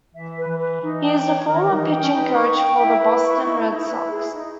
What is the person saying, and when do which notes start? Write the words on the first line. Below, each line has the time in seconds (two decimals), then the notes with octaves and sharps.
He is the former pitching coach for the Boston Red Sox.
0.14 E3 E5
0.37 B4
0.48 E3
0.59 B4
0.81 E3 D#4
1.03 G5
1.24 C#5
1.46 D#3 A#4
1.69 G3 D#4
1.80 E3
1.90 G5
2.02 C#4
2.12 D#4 B4
2.34 C#6
2.56 G5
2.78 E4 E5
2.99 B4
3.22 C#6
3.44 D#4
3.66 D#4
3.88 B4
4.10 G#4
4.31 D#4